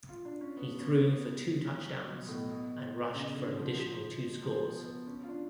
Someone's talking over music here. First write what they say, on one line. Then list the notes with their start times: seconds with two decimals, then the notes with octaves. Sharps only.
He threw for two touchdowns and rushed for an additional two scores.
0.09 F4
0.25 D4
0.41 C#4
0.57 B3
0.79 C#4
1.00 B3
1.86 F#3
2.07 B2
2.22 B2
2.29 A2
2.50 B2
3.04 B2
3.14 C#3
3.36 D3
3.57 F3
3.78 F3
4.43 F3
4.64 B3
4.85 B3
5.07 C#4
5.24 F4
5.29 D4